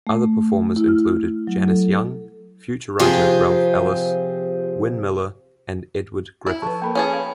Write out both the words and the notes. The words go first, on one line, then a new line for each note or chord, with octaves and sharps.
Other performers included Janis Young, future writer Ralph Ellis, Wynne Miller, and Edward Griffith.
A3
E4
F6
F#3
A4
C3 F3 C4 F4 G4 G#4
E4
F3 A4 B4 A5
A#3 A4 A#4 G5 B5
C#4 G#4 B4 C#5 G#5 A5
C#5 F5